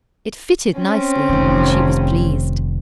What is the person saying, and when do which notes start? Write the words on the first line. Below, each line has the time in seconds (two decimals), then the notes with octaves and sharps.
It fitted nicely, and she was pleased.
0.77 C4 C#4
1.29 F1 D#3